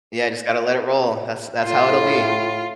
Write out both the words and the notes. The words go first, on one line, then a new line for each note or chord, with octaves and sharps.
Yeah, just gotta let it roll. That's that's how it'll be.
A2 F4